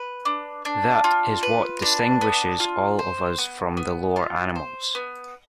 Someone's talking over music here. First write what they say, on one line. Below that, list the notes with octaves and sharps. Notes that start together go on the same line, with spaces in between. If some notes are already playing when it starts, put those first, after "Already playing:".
That is what distinguishes all of us from the lower animals.
Already playing: B4
D4
D4
F4
B4
D4
B3
F4
C5
B3
B3
F4
C5
B3